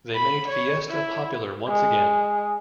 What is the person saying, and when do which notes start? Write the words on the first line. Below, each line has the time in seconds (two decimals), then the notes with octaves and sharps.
They made Fiesta popular once again.
0.15 B5
0.48 C#5
0.90 E4
1.68 G#3